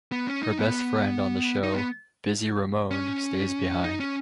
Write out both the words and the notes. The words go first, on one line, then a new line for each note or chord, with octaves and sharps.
Her best friend on the show, Busy Ramone, stays behind.
B3
C#4
D#4
B3
D#4
B3
C#4
D#4
C#4